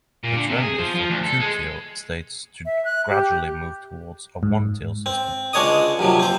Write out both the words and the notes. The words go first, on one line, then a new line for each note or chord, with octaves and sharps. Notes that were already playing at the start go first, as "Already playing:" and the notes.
The trend is for two-tier states to gradually move towards a one-tier system.
A#2
D3
C3
G#4
F3
F3
D2
A4
G#3
E5
F#6
G4
G#2
C4
C#2 G#3 D4 C#5 D#5 D#6
A#1 C3 F3 F#3
C4 C5